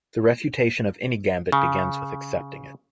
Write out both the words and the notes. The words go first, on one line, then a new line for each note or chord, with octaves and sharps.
The refutation of any gambit begins with accepting it.
C#3